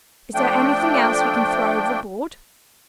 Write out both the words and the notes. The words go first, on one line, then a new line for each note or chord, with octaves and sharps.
"Is there anything else we can throw overboard?"
F3 A3 D4 G5